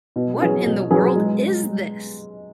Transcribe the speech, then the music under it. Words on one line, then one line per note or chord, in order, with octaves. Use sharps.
What in the world is this?
B2
F#3 C#4 G#4 B4
B2
F#3 C#4 G#4 B4
G#3